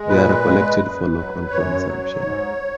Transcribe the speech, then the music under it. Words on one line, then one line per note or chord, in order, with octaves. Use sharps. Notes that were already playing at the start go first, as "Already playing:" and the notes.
They are collected for local consumption.
Already playing: G#3
A#2 B4
G#3
F#2
F#3
F#2 C#5
F#3
G#2